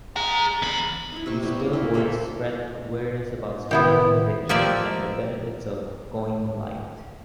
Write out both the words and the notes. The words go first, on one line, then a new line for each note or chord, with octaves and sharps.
These billboards spread awareness about smartphone addiction and the benefits of "going light".
G#4 A#5
E2 B5
D#4 E4
C3 E4 C#6
G3 B3 E4
A#3
A3 A#3 E4 A4
A#3 A4 C5 E5
A2 D#3 B3 E4 G4
F3 A#3 G4 D5 E5